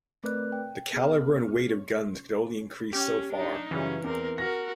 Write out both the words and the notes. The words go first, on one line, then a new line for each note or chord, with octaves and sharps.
The calibre and weight of guns could only increase so far.
A3 C4 A#4 B4 D5 F#6
G5
B3 G#4 F6
C#4 G4
D4 D#4
F#2 C#3 E3 G3 C#4
E2 C4 A#4
F#4 A#4 F6 A#6